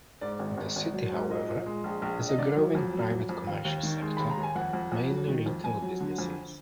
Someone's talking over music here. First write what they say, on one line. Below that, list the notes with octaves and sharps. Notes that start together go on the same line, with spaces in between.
The city however, has a growing private commercial sector, mainly retail businesses.
G#2 D5
G#1
G#1
G#1
F#3
G#2
A#2 D#5
A#2
G#3
A#1
A#1
A#1
D#5
D3 D5
F#3
F2
F#3
F2
F2
D#2 F5
D#2
D#3
G#3
D#2 B5
A#5
D#2
G#5
F2 F#5
F2
F2
F#3
D#3
F2
F2 G#5
F#3
D3
F2